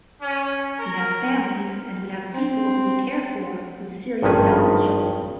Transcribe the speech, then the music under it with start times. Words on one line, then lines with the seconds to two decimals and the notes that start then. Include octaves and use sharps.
We have families and we have people we care for with serious health issues.
0.21 C#4
0.80 A#4
2.34 C4
4.23 G#1 G2 D#3 F3 C#4 B4